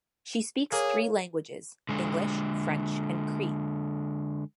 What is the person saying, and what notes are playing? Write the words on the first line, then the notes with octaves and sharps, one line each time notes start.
She speaks three languages: English, French, and Cree.
A#3 G#4 C#5
D3 G#3 A4